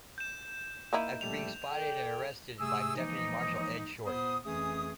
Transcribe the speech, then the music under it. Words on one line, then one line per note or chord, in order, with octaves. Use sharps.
After being spotted and arrested by Deputy Marshal Ed Short.
G6 E7
A#3 D#4 E4
A#1 G3 A3 F7
A4 D5 G5
C3 A3 G#4 G#5 D#6 E6
E3 F3 G#3 A#3 D#4
A#2 B3 C5 D#6
F2 E3 A3 C#4 G#4 D#6